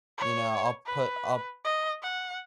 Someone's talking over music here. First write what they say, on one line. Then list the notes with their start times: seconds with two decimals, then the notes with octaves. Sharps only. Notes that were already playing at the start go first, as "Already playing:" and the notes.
you know, I'll put I'll
0.18 C#5
0.86 B4
1.65 D#5
2.03 F#5